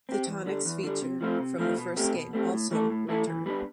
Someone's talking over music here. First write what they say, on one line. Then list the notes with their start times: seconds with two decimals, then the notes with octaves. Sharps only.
The "Tonics" feature from the first game also return.
0.09 C4 G4
0.27 E2
0.46 D3 G3
0.65 E2
0.83 D3 G3
1.02 C3
1.21 F3 A3 C4 F4
1.39 C3
1.58 F3 A3 C4 F4
1.77 B2
1.96 A3 C4 G4
2.14 B2
2.33 A3 C4 G4
2.52 A2
2.71 E3 A3 E4 A4
2.90 A2
3.08 E3 A3 E4 A4
3.27 E3
3.46 G3 B3 D4